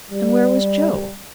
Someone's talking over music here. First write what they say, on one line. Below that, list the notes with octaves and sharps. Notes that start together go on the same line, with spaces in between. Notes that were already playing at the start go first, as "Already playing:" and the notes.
And where was Joe?
G3